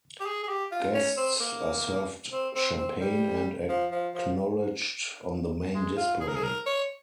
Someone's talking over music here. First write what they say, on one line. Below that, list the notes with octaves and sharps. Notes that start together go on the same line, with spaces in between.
Guests are served champagne and acknowledged on the main display.
G4
G#4
G#4
G4
F4
C#4
C4
A#3
C4
C4
C4
G3
F3
F3
F3
G#3
F4
G#4
A#4
G#4
A#4
C#5